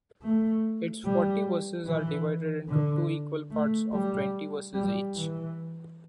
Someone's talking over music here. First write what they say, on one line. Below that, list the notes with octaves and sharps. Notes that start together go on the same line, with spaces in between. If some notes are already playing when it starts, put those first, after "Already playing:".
Its forty verses are divided into two equal parts of twenty verses each.
A3
G3
E3
D3
A3
G3
G3
E3